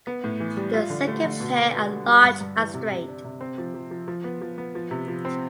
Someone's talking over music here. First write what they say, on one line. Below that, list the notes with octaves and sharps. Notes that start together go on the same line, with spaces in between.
The second pair and large and straight.
B3
A2
E3
G3
F4
D3
A3
D3
B2
B3
B2
G3
G3
G2
G2
E3
C3
C3
D4
C3
C4
F3
F3
F3
F3
B3
F3
B3
F3
C3
F3
C4